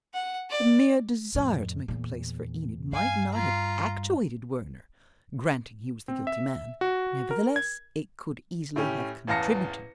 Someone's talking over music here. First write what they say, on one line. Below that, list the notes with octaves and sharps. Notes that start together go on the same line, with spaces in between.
The mere desire to make a place for Enid might not have actuated Werner, granting he was the guilty man. Nevertheless it could easily have contributed.
F#5
D5
F2 A2
E2 A#2
G2 F5 G#5
F4 A#5
C4
E5
F#4
A#4
G#6
A2 C#4 G4
A1 E2 F5 A5 A#6 C#7